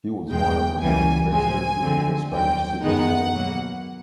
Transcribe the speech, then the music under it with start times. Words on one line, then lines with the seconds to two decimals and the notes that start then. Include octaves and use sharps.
He was one of the main investors during the Spanish Civil War.
0.30 E2 B2 G#3 G5
0.81 C#2 C#3 E3 G3 A#3 G#5
1.31 A2 F3 G#3 C4 G#5
1.82 F2 D3 F3 A3 C4
2.33 D#2 D3 F#3 G5
2.83 F#2 D#3 G#3 B3 D#4 F#5
3.34 B2 F#3 A#3